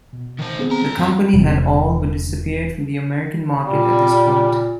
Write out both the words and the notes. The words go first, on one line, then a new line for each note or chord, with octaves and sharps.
The company had all but disappeared from the American market at this point.
B2
D#3 C5
B3 C4 G#4
A4 A#5
F#2 C4 E4
E1 C3
A#2 G3